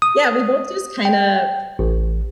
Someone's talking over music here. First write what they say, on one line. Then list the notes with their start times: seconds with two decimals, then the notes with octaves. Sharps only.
Yeah, we both just kinda
0.02 D#6
1.05 G5
1.79 A1